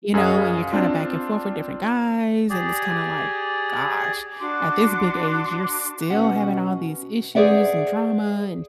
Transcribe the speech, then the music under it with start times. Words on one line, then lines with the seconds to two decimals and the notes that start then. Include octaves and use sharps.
you know, and you're kinda back and forth with different guys, and it's kinda like, "Gosh, at this big age, you're still having all these issues and drama and
0.14 F#2 G#4 D#5 F5
0.72 C4 D4 F4
2.50 G4 G#4 D5
4.39 D4 F#4 C6 D6
6.10 B2 C#4 F#4 F#5
7.35 G#4 C5 D5 E5 F#5